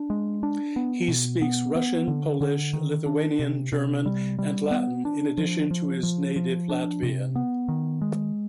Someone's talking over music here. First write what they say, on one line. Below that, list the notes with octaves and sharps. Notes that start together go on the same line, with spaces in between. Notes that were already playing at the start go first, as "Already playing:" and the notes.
He speaks Russian, Polish, Lithuanian, German and Latin in addition to his native Latvian.
Already playing: D4
G#3
D4
B3
B2
B3
B3
D3
D3
D#3
D4
C3
C3
G3
G3
B3
D4
F3
F3
F3
F3
D4
C3
B3
D#3
G#3